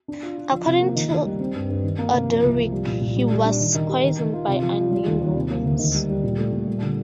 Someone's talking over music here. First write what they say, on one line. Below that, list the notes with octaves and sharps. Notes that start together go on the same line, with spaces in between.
According to Orderic, he was poisoned by unnamed Normans.
D4
F4
F4
F3
C3
A#3
D#3
D#3
G3
C4
G2
G2
D#3
A#3
C3
F3
C2
F3
G3
A#2
A#2
G3
G3
D4
D#3
D#3
G4
D#3
D#3
F4
C3
F3
F4
G3
D#2
D#2
C3
A#3
D2
D#3
G3
G3
A#2
A3
A#2
G3
D3